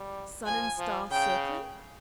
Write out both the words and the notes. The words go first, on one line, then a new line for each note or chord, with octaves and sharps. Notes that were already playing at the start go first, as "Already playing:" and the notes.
Sun-and-star circling.
Already playing: G3
F3 G#5
F3
C#3 G5